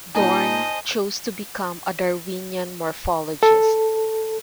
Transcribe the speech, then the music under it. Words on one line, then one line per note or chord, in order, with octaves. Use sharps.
Dohrn chose to become a "Darwinian morphologist".
A#2 D#4 C5 D#5 G#5 A5
A4